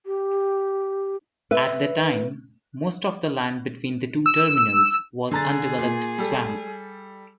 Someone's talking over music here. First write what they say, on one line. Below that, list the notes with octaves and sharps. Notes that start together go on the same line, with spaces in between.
At the time, most of the land between the two terminals was undeveloped swamp.
G4
B4 E5
E6
D3 G#4 A#5 A6
A#2
G3 A4